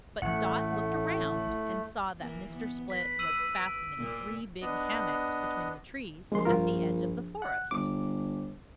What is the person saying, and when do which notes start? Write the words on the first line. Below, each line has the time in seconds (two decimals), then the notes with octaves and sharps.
But Dot looked around and saw that Mr. Split was fastening three big hammocks between the trees at the edge of the forest.
0.22 A1 A2 A3 F#5
2.18 E3 A#3
2.55 B3
2.90 B4 B6
3.19 E6 D#7 F#7
3.56 D7
3.98 A#2 A#3
4.62 B3 D4 D#5
6.32 A#1 G#3 A#3 C6
6.45 G2 F4 A#4
7.42 F#5 F#6
7.71 G1 D6